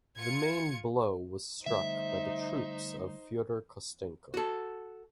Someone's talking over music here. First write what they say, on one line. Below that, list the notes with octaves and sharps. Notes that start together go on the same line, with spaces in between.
The main blow was struck by the troops of Fyodor Kostenko.
F4 G#6 C#7
D3 G3 A3 D#4 C5 E5
F#4 A4